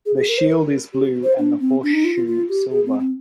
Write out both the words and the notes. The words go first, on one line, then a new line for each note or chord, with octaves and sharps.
The shield is blue and the horseshoe silver.
G#4
G#4
A#4
C5
A#4
G4
C5
D4
C4
D4
D#4
F4
F4
F4
G4
G#4
C4
C4